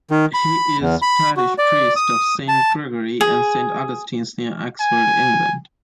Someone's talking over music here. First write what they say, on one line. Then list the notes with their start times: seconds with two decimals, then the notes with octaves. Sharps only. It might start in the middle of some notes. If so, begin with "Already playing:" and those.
He is parish priest of Saint Gregory and Saint Augustine's near Oxford, England.
0.11 D#3
0.34 B5
0.80 E2
1.02 B5
1.37 F#4
1.58 D5
1.96 D#6
2.48 A5
3.21 G#4
4.81 G#5